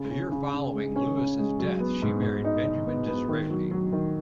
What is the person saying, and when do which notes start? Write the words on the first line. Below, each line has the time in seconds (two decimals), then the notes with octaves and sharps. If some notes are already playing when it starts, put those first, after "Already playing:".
The year following Lewis's death she married Benjamin Disraeli.
Already playing: C#3
0.11 C#4
0.32 C#3
0.53 C#3
0.75 G#3
0.96 C#4
1.17 C#3
1.39 G#3
1.59 F#3
1.80 B3
2.02 G#2
2.22 G#2
2.45 D#4
2.65 D#4
2.87 B3
3.08 B3
3.28 D#3
3.50 F#3
3.71 F#3
3.92 D#3